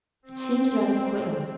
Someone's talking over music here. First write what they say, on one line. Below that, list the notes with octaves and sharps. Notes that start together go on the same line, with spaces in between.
"It seems rather queer."
C4